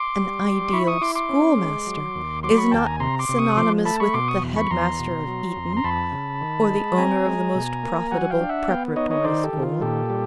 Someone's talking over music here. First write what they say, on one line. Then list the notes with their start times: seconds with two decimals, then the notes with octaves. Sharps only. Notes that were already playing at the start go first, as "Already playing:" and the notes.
An ideal schoolmaster is not synonymous with the Headmaster of Eton or the owner of the most profitable preparatory school.
Already playing: C6 D6
0.16 G3
0.45 G3
0.73 E4 B5 C#6
0.87 C#6 D#6
1.01 E4 C6 D6
1.15 C6 D6
1.29 C#4
1.58 G#3
1.87 F#3
2.16 D#2
2.43 F#3 C6 D6
2.57 B5 C#6
2.71 D#2 G5 A5
2.85 G#5 A#5
3.00 C3 A#5 C6
3.19 C6 D6
3.29 C3
3.38 C#6 D#6
3.57 F3 C6 D6
3.85 A3 A5 B5
4.00 B5 C#6
4.13 B2 C6 D6
4.28 C#6 D#6
4.42 E2
4.56 B5 C#6
4.70 E2 A#5 C6
4.99 B2
5.27 F#3
5.56 F2
5.77 A#5
5.84 F2 A5 B5
6.12 C#3
6.41 D#3
6.69 G#3
6.98 C4 G#5 A#5
7.26 G#3
7.55 B2
7.83 A#3
8.11 F#3 F#5 G#5
8.30 F5 G5
8.40 D4
8.49 E5 F#5
8.68 B3 F5 G5
8.96 D#4 C#5 D#5
9.11 C#5 D#5
9.24 D#3 C5 D5
9.44 G4 A4
9.53 D#3
9.63 F4
9.81 A#2 G4 A4
10.10 G3